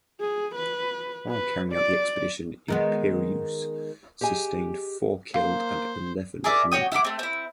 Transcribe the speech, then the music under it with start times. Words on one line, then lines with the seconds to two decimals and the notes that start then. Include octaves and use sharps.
While carrying out the expedition "Imperieuse" sustained four killed and eleven wounded.
0.20 G#4
0.55 B4
1.29 B4
1.72 D5
2.68 D#3 G#3 B3
4.21 G4 G#4 D#5 G#5
5.34 A#3 C5 F5
6.44 G#4 A#4 D5 E5
6.72 F#4 C#5 G5 D#6
6.92 E4 F#5 B5 D6
7.05 A3 C4
7.19 C4 E4